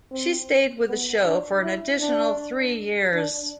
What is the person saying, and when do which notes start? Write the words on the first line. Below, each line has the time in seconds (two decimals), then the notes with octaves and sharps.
She stayed with the show for an additional three years.
0.11 C4
0.87 B3
1.25 D4
1.62 E4
2.00 D4
3.13 D4